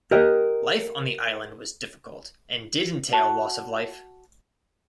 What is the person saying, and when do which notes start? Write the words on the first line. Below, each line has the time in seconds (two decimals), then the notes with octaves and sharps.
Life on the island was difficult, and did entail loss of life.
0.11 G4 A#4 D#5
3.12 F#4 A5